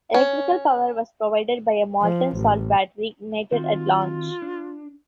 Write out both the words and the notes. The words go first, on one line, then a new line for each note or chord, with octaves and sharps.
Electrical power was provided by a molten salt battery ignited at launch.
C#4
F3
A1
D#3 C4 F4 F#4
D4